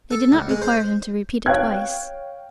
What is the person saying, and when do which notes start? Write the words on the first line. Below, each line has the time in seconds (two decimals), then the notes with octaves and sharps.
They did not require him to repeat it twice.
0.11 A4
0.32 C#2
0.49 G#3
0.62 C5
1.46 C#5 F5 G5 F#6 G#6